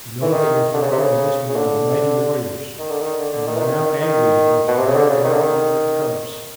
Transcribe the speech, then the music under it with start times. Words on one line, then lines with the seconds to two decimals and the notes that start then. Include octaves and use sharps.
You know that your father and his men are mighty warriors and are now angry, like a bear robbed of her cubs.
0.22 E3
0.33 D#3
0.73 D3
0.82 C#3
0.92 C3
0.99 C#3
1.49 C#3
1.56 D3
2.79 D#3
2.90 D3
3.01 D#3
3.19 D3
3.33 D3
3.47 D#3
3.56 E3
3.61 D#3
4.02 D#3
4.67 B2
4.77 C3
4.87 C#3
4.96 D3
5.10 C#3
5.24 D#3
5.32 D3
5.40 D#3